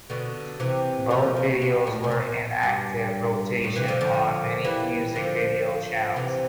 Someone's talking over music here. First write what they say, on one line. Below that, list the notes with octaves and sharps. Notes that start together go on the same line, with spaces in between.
Both videos were in active rotation on many music video channels.
B2 D3
C3 E3
D3 F3
B2
G2
A2
C3
B2
G2
A2
C3 E3
D3 F3
D3 F3
E3 G3
D3 F3
C3 E3